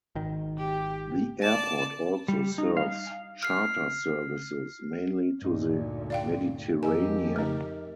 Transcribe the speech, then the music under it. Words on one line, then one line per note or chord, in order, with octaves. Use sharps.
The airport also serves charter services, mainly to the Mediterranean.
G#1 D#3
G4
D5 A5
G3
D#4
F5
F6 C7
D2 G2 A#2 D#4
D5 F5 G5
F2 G4 A#4 D#5 G#5 E6
A3 D#4